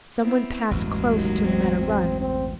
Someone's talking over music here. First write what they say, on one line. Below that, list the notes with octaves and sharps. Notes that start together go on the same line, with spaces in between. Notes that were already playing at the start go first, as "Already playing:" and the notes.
Some one passed close to him at a run.
B3 C4 E4
A1 E2 G2 F#3 G#3 A#3
D#2
C4
C4
C4